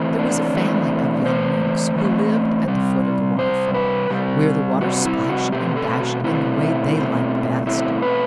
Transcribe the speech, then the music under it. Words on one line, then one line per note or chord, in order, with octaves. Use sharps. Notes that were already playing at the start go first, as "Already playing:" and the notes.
There was a family of young Minks who lived at the foot of the waterfall, where the water splashed and dashed in the way they liked best.
Already playing: E3 A3 C4
D4
E3 A3 C4
E3 A3 C4 C5
E3 A3 C4
C3 G3 C4
C3 G3 C4 C5
B4
C3 G3 C4 G4
C3 G3 C4 F#4
E4
F#4
B2 A3 C4 G4
A4
F#4
B2 A3 C4 E4
B2 A3 C4
B2 A3 C4 E4
B4